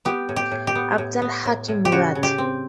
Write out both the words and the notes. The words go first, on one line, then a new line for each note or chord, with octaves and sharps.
Abdal Hakim Murad.
B3 G4
A2
G4
A2
G4
B3
A2
B3
A2
A2
G4
C#3 F#4
C#3
G4
C4